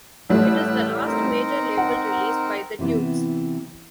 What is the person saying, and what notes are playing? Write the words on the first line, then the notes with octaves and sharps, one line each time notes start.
It is the last major-label release by The Tubes.
A1 G3 A3 E6 F#6
C4 D#4 A#4
F#5
C3 E3 B3